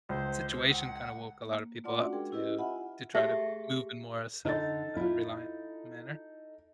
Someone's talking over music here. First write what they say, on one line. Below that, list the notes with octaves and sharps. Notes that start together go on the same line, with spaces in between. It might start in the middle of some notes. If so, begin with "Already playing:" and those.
situation kinda woke a lot of people up to to try to move in more a self, uh, reliant manner.
C#2 C5
C5
F#5
A#3
A3 F4 D5 F#5 C6 D6
C#4 D4 F#4
G#3 D4 F#4 G#4 A#4 G5
C#4 E4 G4 B4 D#5
F4 D#5 E5 F#5 G#5 B5
A3 G4 G#4 E5
D3 D#4 A4 A6
E4 F4